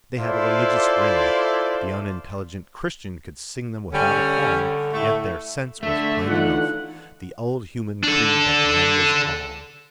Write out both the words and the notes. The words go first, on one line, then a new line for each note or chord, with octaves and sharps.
They had a religious ring; the unintelligent Christian could sing them without a qualm; yet their sense was plain enough--the old human creed that man was all.
E4 F4 A4 C5 D5
D3 G3 C#4
A2 A3
D3 A3 E5
E3 D#4 F4 F#5
D4 A4